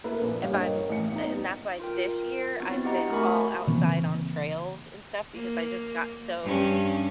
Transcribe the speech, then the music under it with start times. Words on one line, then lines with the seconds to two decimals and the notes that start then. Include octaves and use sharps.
if I'm a and that's why this year, I've been all outside on trails and stuff because I just got so
0.04 A#3 E4 A4 B4
0.21 A#1 D4
0.43 G2 G4 C#5 F5
0.60 A#4 C#5 D#5 G5
0.89 A1 C#7
1.12 B3 D#4
1.80 F4 A#4 G5
2.60 B3 C4 D4 E4 F#4
2.84 E4 G4 D#5 F#5 G5 A#5
3.11 A3 F#4 A#4 G#5 B5 C#6
3.67 C#3 E3 A#3 C4
5.35 A#3
6.44 G2 C#4